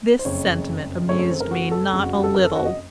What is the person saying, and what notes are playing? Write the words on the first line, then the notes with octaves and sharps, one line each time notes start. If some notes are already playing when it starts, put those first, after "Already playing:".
This sentiment amused me not a little.
C5
F#1 F2 C#3 C#5
F#2 C#3 A3 C4 C#5
C#5
C5
A#4
F#4
A4
F#1 F2 C#3
F#4
F#4
A4
A#4
A4
F#4
D#5